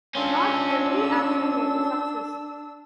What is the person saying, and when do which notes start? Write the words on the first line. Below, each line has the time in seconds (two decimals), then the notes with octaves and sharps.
Not every action was a success.
0.15 C#4 D4 F4 E6